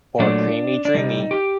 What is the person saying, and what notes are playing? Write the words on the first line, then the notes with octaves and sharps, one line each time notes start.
For creamy dreamy.
A#2 F#3 A3 D4
D4
C3 G3 D#4
G4